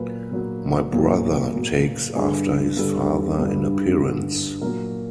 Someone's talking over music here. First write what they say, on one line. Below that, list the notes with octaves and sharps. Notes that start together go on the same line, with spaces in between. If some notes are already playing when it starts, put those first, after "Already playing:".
My brother takes after his father in appearance.
Already playing: A#2 F#3 A#3 B4
A#2 F#3 A#3
A#2 F#3 A#3
A#2 F#3 A#3
G2 D3 G3 G#4
G2 D3 G3 A4
G2 D3 G3
G2 D3 G3
A#2 F#3 A#3 A#4